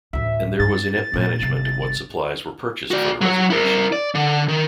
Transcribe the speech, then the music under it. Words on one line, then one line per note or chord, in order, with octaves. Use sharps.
And there was inept management of what supplies were purchased for the reservation.
A1 D2 E5
G2 A6
A#2 A3
G1 C3
F#4 D5
F#3 C#5
E4 A#4
D5
D3
D#3